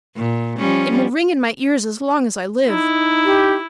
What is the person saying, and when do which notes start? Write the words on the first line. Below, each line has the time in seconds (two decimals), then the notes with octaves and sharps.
It will ring in my ears as long as I live.
0.16 A#2
0.58 F3 G3 C#4
2.69 D#4 E4
3.25 G4